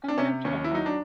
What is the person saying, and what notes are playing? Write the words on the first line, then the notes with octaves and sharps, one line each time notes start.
Oh, no kidding.
D4
C3 C#4
D#2 C#4
E4
F#3 D#4
D4